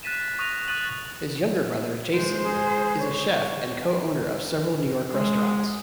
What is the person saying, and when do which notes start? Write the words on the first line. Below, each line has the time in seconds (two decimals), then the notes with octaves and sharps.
His younger brother, Jason, is a chef and co-owner of several New York restaurants.
0.03 F#6 A6 B6 D#7 E7
0.39 C#6 D#6 F#6 A#6 D#7 F7
0.68 C#6 D#6 F#6 A6 D#7 F#7
2.13 G#3 C5
2.45 G#4
3.01 C#5
5.12 G#3